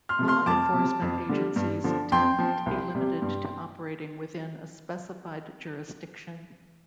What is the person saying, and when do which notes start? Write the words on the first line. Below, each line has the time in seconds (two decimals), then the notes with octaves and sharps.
Law enforcement agencies tend to be limited to operating within a specified jurisdiction.
0.09 C6 F6
0.19 C3 F3
0.28 C6 F6
0.46 F2 A5 D6
0.73 C3 F3
1.02 F2
1.29 D3 G3
1.56 G2
1.84 D3 F3
2.12 F2 G5 C6
2.39 F3
2.66 C2
2.95 C3 G3
3.22 G2